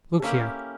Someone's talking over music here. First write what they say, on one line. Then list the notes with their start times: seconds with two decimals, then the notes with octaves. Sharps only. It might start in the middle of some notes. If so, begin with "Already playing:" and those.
Look here!'
0.20 A4
0.22 A#3 C#4 E4 G4 A#4